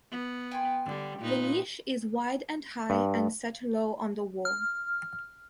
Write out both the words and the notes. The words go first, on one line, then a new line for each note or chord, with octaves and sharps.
The niche is wide and high and set low on the wall.
B3
G5 G#5 C6
D3 G3
A#2 D#4 B4
G2
F6